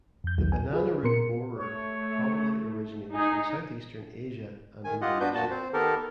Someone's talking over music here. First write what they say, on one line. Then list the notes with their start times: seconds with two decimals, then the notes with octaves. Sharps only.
The banana root borer probably originated in southeastern Asia and Indonesia.
0.24 F2 G6
0.38 B1 E2 D#3 F#3
0.52 G#5
0.73 F4 G#4 B4
1.03 A#2 B3 A#4 C6 C#7
1.58 A3 C#5
3.14 D#4 G#4
4.85 D#3 G#5
5.01 F4 G4 D#5 F#5
5.20 B3 D4 F#4 B4 G6
5.35 A#2 F#4 A5
5.51 C4 C5
5.74 D#3 B3 G4 A4 A#4